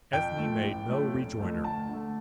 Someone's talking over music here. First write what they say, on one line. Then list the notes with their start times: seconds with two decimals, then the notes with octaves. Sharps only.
Ethne made no rejoinder.
0.12 F2 G5
0.38 F3 A3
0.63 A1
0.88 A2 F3 A3
1.13 F1
1.39 F2 F3 A3
1.63 D2 A5
1.89 D3 A3